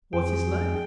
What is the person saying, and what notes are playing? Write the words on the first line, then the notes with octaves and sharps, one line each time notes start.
What is left?
F2 G#4 G5